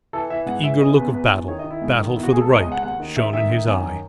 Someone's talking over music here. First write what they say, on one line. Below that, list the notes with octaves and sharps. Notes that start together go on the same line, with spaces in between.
The eager look of battle--battle for the right--shone in his eye.
E3 A4
E3 E5
G#2 F#5
E3 E5
C#3 D#5
E2 B4
E2 B4
E3
D#3 C#5
D#5
D#3
E4
G#2
D#3
B2 E4
F#4
C#2 G#4
A4
C#2 C#5
D#5
C#2
F#5
D#2 F#5
D#3
D#3 E5
D#3 E5
D#3
F#2
D#3